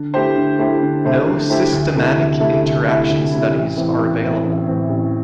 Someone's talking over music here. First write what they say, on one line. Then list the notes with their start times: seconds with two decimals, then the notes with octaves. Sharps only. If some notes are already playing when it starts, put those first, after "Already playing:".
No systematic interaction studies are available.
Already playing: D3
0.14 A3 E4 G4 C5
0.36 D3
0.59 A3 E4 G4 C5
0.82 D3
1.05 A3 E4 G4 C5
1.27 D3
1.50 A3 E4 G4 C5
1.73 D2
1.95 C3 A3 E4
2.18 D2
2.40 C3 A3 E4
2.63 D2
2.85 C3 A3 E4
3.08 D2
3.31 C3 A3 E4
3.53 A1
3.76 A2 E3 C4
3.99 A1
4.22 A2 E3 C4
4.44 A1
4.67 A2 E3 C4
4.90 A1